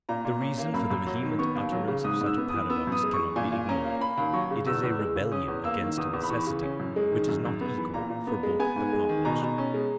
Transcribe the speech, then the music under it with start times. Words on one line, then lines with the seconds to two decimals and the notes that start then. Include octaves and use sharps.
The reason for the vehement utterance of such a paradox cannot be ignored. It is a rebellion against a necessity, which is not equal for both the partners.
0.09 A#2 A#5
0.25 A#2
0.41 C#4
0.58 A#3
0.74 F#2 B5
0.91 F#2
1.06 F#3
1.23 D#3
1.39 B3 C#6
1.55 D#2
1.72 F#3
1.88 C#3
2.04 G#2 D#6
2.21 G#2 E6
2.38 B3
2.49 D#6
2.54 E3
2.70 B3 E6
2.87 F#2
2.92 D#6
3.03 G#3
3.13 C#6
3.19 E3
3.36 A#2 G#5
3.52 A#2
3.69 C#4 A#5
3.85 A#3
4.01 A#3 B5
4.17 D#2
4.33 F#3 C#6
4.51 C#3
4.67 E2 E6
4.83 E2
4.99 G#3
5.16 C#3
5.32 C#4 D#6
5.48 E2
5.64 A#3 E6
5.81 D#3
5.98 E2 D#6
6.13 E2
6.23 B5
6.30 E3 C#6
6.47 C#3
6.63 C#4
6.80 F#2
6.96 G#3
7.12 D#3
7.29 F#2
7.45 F#2
7.61 B3
7.78 E3
7.94 A#2 A#5
8.10 A#2
8.27 B3
8.43 G#3
8.59 B3 G#5
8.76 G#2
8.93 G#3
9.09 D#3
9.25 B2 A#5
9.42 B2
9.58 C#4
9.74 G#3